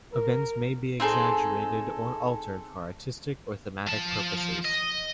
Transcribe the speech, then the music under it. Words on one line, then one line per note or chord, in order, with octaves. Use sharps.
Events may be exaggerated or altered for artistic or thematic purposes.
A#4
C4 D#4 G#4 A4
F3 A5
D#5